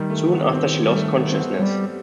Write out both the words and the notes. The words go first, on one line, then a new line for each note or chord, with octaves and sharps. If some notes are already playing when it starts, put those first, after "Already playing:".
Soon after she lost consciousness.
Already playing: D#3 G3
A3
B3
C4
G3
A3
B3
C4
B3
G3